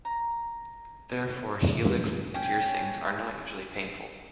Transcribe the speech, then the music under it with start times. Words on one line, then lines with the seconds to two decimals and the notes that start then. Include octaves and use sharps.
Therefore, helix piercings are not usually painful.
0.05 A#5
2.34 C#4 G5